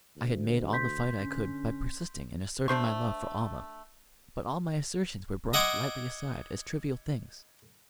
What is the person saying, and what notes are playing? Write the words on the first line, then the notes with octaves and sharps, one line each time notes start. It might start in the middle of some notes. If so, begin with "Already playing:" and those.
I had made all the fight I could by persisting in asserting my love for Almah, but all my assertions were brushed lightly aside as trivial things.
D2
C6 G6 B6
D3 C#4
A3 D4 C5 C#6
D#5 E5 F#5 G#5 C6 D6